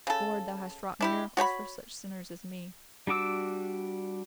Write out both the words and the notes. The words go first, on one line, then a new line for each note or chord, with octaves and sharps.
Lord, thou hast wrought miracles for such sinners as me!
C#3 A4
D4 E4 G4
F#4 C#5 G5 B5
G3 D4 F#4 D6 E6